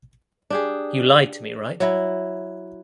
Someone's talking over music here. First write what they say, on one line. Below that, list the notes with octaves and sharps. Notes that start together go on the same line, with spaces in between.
You lied to me right?
D4 G4 G#4
F#3 E4